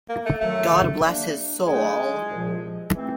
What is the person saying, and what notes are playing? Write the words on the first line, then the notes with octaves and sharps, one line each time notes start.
God bless his soul.
A#3
A3
F#2 D#3 F#3 A3
D3 G3 A#3 D4
D3 F#3 G#3 A3 D4
C2 A#2 F3
E3 A3 C4